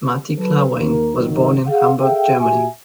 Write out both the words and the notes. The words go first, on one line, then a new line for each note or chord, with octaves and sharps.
Mati Klarwein was born in Hamburg, Germany.
F#3 A4 B4
D#2 A#3 A#4
G#1 D#3 F#3
G#4 F5 F#5
G#4 A4 E5 F5 G5
A#2 F#4 G4 E5 G#5